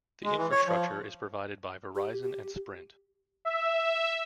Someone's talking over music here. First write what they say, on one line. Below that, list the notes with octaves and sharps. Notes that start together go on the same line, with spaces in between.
The infrastructure is provided by Verizon and Sprint.
G#3
E3
C#5
F3
G4
G4
E5